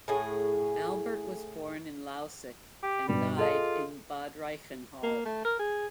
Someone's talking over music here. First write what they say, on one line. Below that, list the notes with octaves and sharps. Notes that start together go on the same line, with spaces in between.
Albert was born in Lausick and died in Bad Reichenhall.
A2 G#4
G4
G2 B2 G3
F4 G#4 A4 D#5
A#3
A3
A#4
G#4